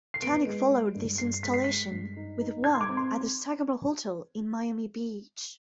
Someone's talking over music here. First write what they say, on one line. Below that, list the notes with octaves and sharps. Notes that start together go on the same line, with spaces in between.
Tunick followed this installation with one at the Sagamore Hotel in Miami Beach.
C7
B3 D7
G#3
G#3
G2
G2 C7
G#3 B6
C7
G#3 B6
G2
D#4
D#4
D#4 G#6
C6
D6
C4
C6